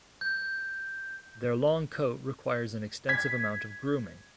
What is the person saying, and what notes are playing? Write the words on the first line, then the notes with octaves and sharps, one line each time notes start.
Their long coat requires an extensive amount of grooming.
G6
G#6 B6